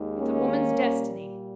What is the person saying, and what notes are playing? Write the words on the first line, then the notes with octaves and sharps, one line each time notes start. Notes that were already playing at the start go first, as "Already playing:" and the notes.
It's a woman's destiny.
Already playing: D#2 D#3 G#3
A#3 C#4
A#2 G3